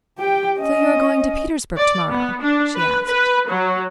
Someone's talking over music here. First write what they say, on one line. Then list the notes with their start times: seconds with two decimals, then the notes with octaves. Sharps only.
"So you are going to Petersburg tomorrow?" she asked.
0.18 G4 G5
0.60 C#4 D#5
1.76 D5
2.09 B3
2.41 D4
2.75 B4
3.06 B4
3.48 F#3